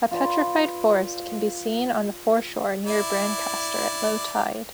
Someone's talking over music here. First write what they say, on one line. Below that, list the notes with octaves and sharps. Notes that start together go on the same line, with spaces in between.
A petrified forest can be seen on the foreshore near Brancaster at low tide.
F4 B4 D5
E4 D5